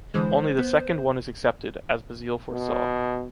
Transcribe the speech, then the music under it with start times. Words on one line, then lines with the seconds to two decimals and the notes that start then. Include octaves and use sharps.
Only the second one is accepted, as Bazille foresaw.
0.14 D3 E3 G#3 C5
0.58 B3
2.52 B2